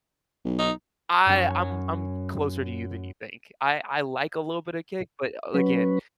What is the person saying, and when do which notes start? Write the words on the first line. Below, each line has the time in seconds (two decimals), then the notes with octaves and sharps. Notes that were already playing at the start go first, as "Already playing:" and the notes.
I I'm I'm closer to you than you think, I I like a little bit of kick, but a again,
0.45 B1
0.59 D#4
1.26 F#2 C#4
5.54 F#3 C#4 B4